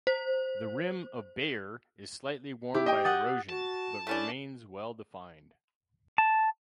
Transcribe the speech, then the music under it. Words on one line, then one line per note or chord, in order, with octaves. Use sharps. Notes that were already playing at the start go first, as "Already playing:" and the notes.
The rim of Bayer is slightly worn by erosion, but remains well-defined.
C5
E4 G4
D#5 G5
F#5 D#6 A6
F#4 A5
A3 C#4 D4 E4
A5